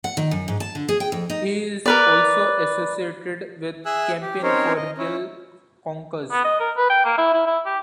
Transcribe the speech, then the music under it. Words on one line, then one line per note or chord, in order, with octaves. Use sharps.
He is also associated with Campaign for Real Conkers.
F#5
D#3
F#2
G#2
A5
D3
G#4
G5
F2
D#4
A#4 B4 D5
G#4 E5 G#5 E6 F#6
G4
C4 C#4 D#4 A#4 C5 C#5
D#5
C#4 E4
B3
D#5
A#4
B4
G5
A#3
E4
E4
E4
G4